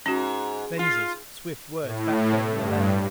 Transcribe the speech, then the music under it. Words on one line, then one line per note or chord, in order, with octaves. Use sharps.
Venza's swift words back there in the lounge.
G#2 C#4 F#4
F4
A2
G2